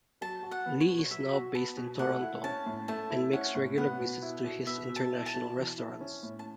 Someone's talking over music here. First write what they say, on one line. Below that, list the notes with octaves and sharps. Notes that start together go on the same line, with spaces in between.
Lee is now based in Toronto, and makes regular visits to his international restaurants.
F#3 A5
F#4
F#5
B3
C#5
B2
C#5
F#3 E5
F#4
B3 A5
B2
A3 F#5
E4
C#4 A5
A2
A3 A5
E4
C#4 F#5
A2
B3 F#5
B2
E4
B2
B3 E5
B2
A5
E4
A5
B2
E3
E4
C#4
A2
A5